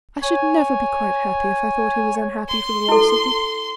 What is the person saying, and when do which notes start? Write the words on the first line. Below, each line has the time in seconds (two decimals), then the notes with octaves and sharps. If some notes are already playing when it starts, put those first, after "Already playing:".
I should never be quite happy if I thought he was unhappy for the loss of me.
0.22 C#5 G#5
2.48 C6
2.88 E4 A4